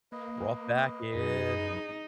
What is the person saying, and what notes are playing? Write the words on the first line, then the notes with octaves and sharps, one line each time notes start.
brought back in, and
A#3 B4 D#5
F#2 D#4 G#4